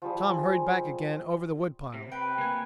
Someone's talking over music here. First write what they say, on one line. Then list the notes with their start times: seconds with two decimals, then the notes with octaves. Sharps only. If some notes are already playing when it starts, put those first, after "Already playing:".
Tom hurried back again over the wood pile.
0.02 F3 G3 G#4
1.94 C3
2.12 B4 G5 B5
2.38 A#3 G#5